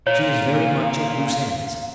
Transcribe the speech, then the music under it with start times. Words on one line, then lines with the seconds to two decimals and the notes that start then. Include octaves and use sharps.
She is very much at loose ends.
0.07 A#2 C#5 F5